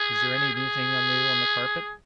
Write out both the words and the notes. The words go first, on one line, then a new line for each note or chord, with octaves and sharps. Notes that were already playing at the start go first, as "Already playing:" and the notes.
"Is there any thing new on the carpet?"
Already playing: G#4
G#4